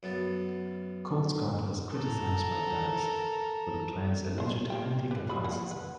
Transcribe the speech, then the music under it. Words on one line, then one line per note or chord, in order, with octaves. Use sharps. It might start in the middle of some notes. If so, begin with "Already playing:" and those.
Colescott was criticized by Dies for the Klan's alleged anti-Catholicism.
F#2 B3 A4
A4 A#4
A3 C5
A#3 G4 G5
G4 B4
F4 F#4 B5
A#3 F#5
B4